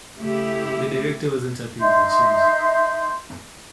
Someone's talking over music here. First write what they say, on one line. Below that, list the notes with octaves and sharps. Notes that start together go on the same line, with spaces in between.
The director wasn't happy with the change.
C#3 A3 E4 G4
D#4 E5 C6 G6